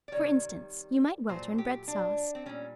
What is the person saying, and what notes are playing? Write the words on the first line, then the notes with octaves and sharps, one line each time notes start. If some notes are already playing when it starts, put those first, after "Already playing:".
For instance, you might welter in bread-sauce.
D5
C3 D#3 G3 C#5
A#2 F#3 A3 C5
G4
D4
C4
A#2 G3 C#4